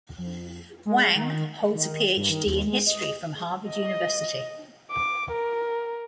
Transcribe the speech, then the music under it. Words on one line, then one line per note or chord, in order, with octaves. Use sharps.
Wang holds a Ph.D. in history from Harvard University.
F2
G#3
D#3
D#3
G2
D#3
D#2
G#3
D#5
D#5
D6
A#4